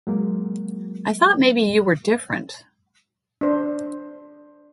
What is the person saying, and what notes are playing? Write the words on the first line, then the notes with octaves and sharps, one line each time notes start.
I thought maybe you were different.
F#3 G#3 A#3
D4 C5